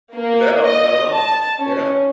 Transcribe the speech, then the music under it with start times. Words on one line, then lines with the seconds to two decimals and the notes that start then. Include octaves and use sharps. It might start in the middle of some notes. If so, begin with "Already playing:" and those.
No. Not at all. Yeah.
0.15 A#3
0.68 D#5
1.14 A5
1.61 C#4